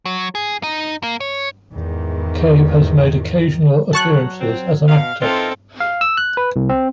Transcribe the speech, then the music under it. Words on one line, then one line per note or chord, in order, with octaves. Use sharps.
Cave has made occasional appearances as an actor.
F#3
G#4
D#4
A#3
C#5
E2 G#2 D#3
F#3 A5 C#6 F#6
C4
B2 F5
E3 C4 D#4 F4 A4 A#4
F5
E6
F#6
B4
C2
C4